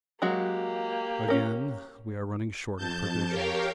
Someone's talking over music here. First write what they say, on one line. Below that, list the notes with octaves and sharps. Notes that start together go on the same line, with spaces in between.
Again we are running short of provision.
F#3 G#3 A#3 F#4 G4
C#4 A#4
F2 A5 G6
G4 A#4 C#5 F5 G5